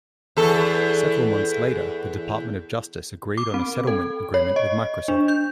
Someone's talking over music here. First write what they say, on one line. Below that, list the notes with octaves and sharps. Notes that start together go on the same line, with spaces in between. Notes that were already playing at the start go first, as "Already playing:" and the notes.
Several months later the Department of Justice agreed on a settlement agreement with Microsoft.
E2 A4
D6
C4
A4
C#5
D#5
D4
G6